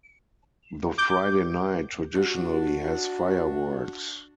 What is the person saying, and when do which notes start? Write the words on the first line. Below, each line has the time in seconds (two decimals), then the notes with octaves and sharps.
The Friday night traditionally has fireworks.
0.98 D6 G6
2.16 D4 F#4